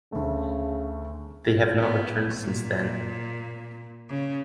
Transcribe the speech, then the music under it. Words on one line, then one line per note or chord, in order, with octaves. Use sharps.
They have not returned since then.
D2 C#3 A3
B3
A#2
C#3